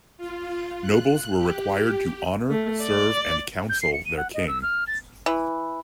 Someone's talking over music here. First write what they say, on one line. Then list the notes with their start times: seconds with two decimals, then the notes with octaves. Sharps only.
Nobles were required to honor, serve, and counsel their king.
0.17 F4
0.82 F#6
1.38 G4
2.50 A3
2.82 D5
3.69 G6
3.81 C7
3.93 C#7
4.05 D#7
4.17 F#5
4.34 D#5
4.47 E6
4.62 F6
4.87 A6
5.26 E3